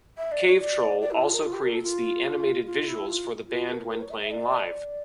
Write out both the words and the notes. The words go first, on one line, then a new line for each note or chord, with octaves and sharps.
Cavetroll also creates the animated visuals for the band when playing live.
E5
D5
C#5
D5
D5
E4
F4
A#4
F4
G4
A#4
A4
F4
F4
E4
F4
F4
A#4
A#4
C#5
E5
E5
D5